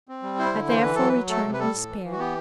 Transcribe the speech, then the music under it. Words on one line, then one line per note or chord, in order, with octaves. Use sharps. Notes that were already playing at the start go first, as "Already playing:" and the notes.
I therefore returned in despair.
C4
G3
E4 C5
D3
E3 C5
E3 B4
F#3 A4
F#3 B4
A3 A4
C3
B4
G3 A4
A2
E3
E3
F#4
B3 G4